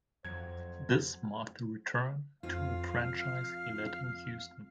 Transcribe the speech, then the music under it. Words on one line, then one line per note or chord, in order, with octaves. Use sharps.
This marked a return to a franchise he led in Houston.
F2 F#3 C5 G#6
F2 F4 F5